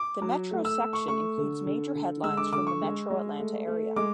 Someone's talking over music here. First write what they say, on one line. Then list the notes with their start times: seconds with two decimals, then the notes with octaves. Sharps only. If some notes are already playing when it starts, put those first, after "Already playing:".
The Metro section includes major headlines from the Metro-Atlanta area.
Already playing: D6
0.22 F#3
0.51 A3
0.65 E6
0.79 A3
0.93 C#6
1.08 A3 C#6
1.38 D3
1.66 D3
1.95 D3
2.23 G#3 E6
2.37 D6
2.52 D3 D6
2.67 C#6
2.82 G#3
3.10 G#3
3.39 A3
3.67 A3
3.96 G#3 D6